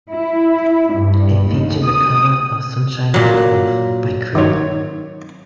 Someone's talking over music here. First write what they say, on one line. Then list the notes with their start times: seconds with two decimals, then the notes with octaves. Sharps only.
It features a cover of "Sunshine Of Your Love" by Cream.
0.10 E4
0.93 G2
1.50 D#2
1.84 D#6
3.14 A#2 F#3
4.35 D#3 F#3 C#5